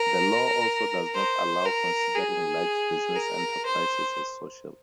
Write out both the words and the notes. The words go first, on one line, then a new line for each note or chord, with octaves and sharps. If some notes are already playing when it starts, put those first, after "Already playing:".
The law also does not allow considering large business enterprises as social.
Already playing: A#4
C5
A#4
G#4
A#4
C5